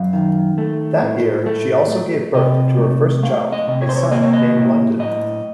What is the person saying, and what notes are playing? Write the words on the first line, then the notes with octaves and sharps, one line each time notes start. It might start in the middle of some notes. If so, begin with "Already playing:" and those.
That year, she also gave birth to her first child, a son named London.
Already playing: F#2 F5
D#3
A3
A2
A3
A3
C3 D#5
A3
A3 F5
D#5
C3
C#5
C5
C#5
A#3 D#5
C#5
D#5
A2
A2 D#5